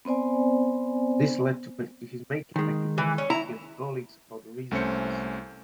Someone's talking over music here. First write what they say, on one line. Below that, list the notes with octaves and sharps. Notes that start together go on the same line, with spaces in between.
This led to his making accusations against colleagues about the reasons for the decision.
B3 C4 C5 D5 G#5
D#3 G#3
E3
C#4
E4 A#5
C2 A3 C#4 C5 C#7